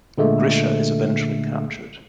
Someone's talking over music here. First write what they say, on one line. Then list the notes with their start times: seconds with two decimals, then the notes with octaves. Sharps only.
Grischa is eventually captured.
0.18 A#2 D3 G#3 A3